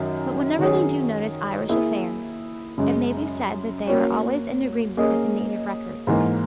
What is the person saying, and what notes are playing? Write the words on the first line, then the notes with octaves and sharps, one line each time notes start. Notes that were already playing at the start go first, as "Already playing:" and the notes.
But whenever they do notice Irish affairs, it may be said that they are always in agreement with the native records.
Already playing: F#2 D#3 F#3
D#3 F#3 C#4 G#4 C#5
A#3 E4 G#4
F#2 C#3 G#3
A#3 C#4 F#4 C#5
A#3 C#4 G#4 D#5
G#2 E3 A#3